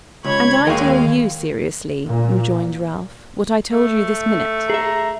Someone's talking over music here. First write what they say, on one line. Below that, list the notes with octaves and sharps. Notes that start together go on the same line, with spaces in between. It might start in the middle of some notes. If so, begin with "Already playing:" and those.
'And I tell you seriously,' rejoined Ralph, 'what I told you this minute.
C#2 C#5 B5 G#6
D#2 G#3 A#3 A#4 C#5 F5
A#2
A3
G#4 E5 A#5